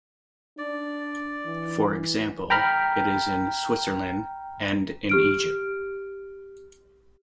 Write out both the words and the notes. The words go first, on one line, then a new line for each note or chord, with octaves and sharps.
For example, it is in Switzerland, and in Egypt.
D4 D5
E3
G5 A#5 B5 F6
G4 F6 D7